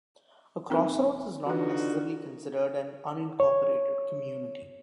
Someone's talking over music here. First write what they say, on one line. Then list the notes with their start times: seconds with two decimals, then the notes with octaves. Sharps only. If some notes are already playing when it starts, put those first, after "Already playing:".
A crossroads is not necessarily considered an unincorporated "community".
0.70 D#1 C4 D#4 A#4
1.47 D3 E3 D#4 F4 F#4 B4
3.40 C#5